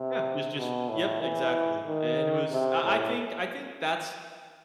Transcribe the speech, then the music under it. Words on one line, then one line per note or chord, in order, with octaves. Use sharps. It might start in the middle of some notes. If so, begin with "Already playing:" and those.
Yeah, it's just Yep, exactly, a and it was I I think I think that's
Already playing: C3
B2
A2
E3
D#3
C3
A2